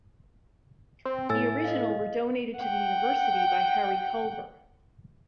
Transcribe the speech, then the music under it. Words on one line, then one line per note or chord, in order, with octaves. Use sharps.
The original were donated to the university by Harry Culver.
C4
A2 G#5 E6 A6
D#5 F5
F#5 G5